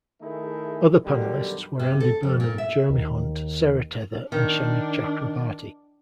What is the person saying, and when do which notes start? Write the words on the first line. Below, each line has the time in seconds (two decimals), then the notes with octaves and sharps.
Other panellists were Andy Burnham, Jeremy Hunt, Sarah Teather and Shami Chakrabarti.
0.22 D#3 A3 D#4 E4 G#4
1.05 F#2 B2 D3 D#3 F#3 G3
1.79 C3
2.00 A4
2.23 F2
2.40 A#2
2.58 E5
2.90 D#2
4.32 D#3 D4